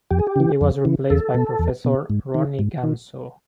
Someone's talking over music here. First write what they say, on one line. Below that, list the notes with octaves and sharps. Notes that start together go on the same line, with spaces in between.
He was replaced by Professor Roni Gamzo.
F2 G4
G#4
G4
C#3 E3
F2
C#3 E3
E2 A4
B2
E2
B2
G#2
D#3
G#2
D#3